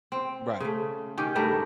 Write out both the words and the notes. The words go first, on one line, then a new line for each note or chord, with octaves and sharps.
Mm, right.
C4
C#3 A3
D#3 C#4 G4
G2 G3 A3 A#4